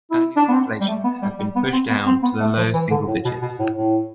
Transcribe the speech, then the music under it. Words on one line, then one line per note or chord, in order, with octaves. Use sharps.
Annual inflation had been pushed down to the low single digits.
E4
D4
B3
C4
G3
A3
B3
G3
G3
B3
C4
B3
C4
B3
A3
F3
E3
D3
A2
B2
B2
A2
A2